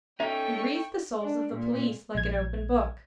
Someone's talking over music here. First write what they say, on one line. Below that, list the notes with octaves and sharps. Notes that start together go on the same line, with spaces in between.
He reads the souls of the police like an open book.
C#4 D#4 A4 E5 G5 C#6
D4
A#2
A#1 G#6